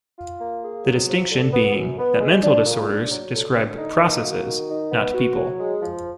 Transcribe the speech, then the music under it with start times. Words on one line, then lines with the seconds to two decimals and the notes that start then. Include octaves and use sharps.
The distinction being that mental disorders describe processes, not people.
0.18 F4
0.40 A#3
0.63 G#4
0.85 F#3
1.08 F3
1.31 D3
1.52 B3
1.75 F#2
1.98 B3
2.20 G#3
2.43 D4
2.65 A#2
2.88 D4
3.11 F#3
3.34 D3
3.56 D3
3.78 D#4
4.00 A#3
4.23 F#4
4.45 D#3
4.69 D#4
4.91 B3
5.14 F#4
5.36 F#3
5.59 G#3
5.82 F3